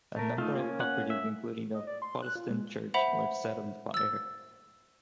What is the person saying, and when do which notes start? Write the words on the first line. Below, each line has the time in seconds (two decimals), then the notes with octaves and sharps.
A number of properties, including the Protestant church, were set on fire.
0.16 A3 A#4
0.38 A3 D#4 F4
0.55 A#3 C4 C#4
0.80 F#5
1.10 E5
1.74 D#5
1.87 D5
2.02 C6
2.22 F#6
2.36 F4
2.50 G#3
2.94 C5 E5 F#5 B5 F7
3.94 E6 A6